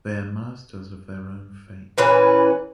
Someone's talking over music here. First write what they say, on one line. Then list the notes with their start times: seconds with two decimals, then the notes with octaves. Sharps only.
They are masters of their own fate.
1.98 A#2 E3 C#4 B4